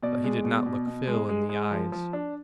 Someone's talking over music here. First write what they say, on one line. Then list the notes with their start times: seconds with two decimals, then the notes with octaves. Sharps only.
But he did not look Phil in the eyes.
0.03 B2 D5
0.24 G#3
0.44 B2
0.66 B2
0.87 B2
1.07 G#3
1.29 G#3
1.49 G#3
1.71 F3
1.92 F3
2.13 D4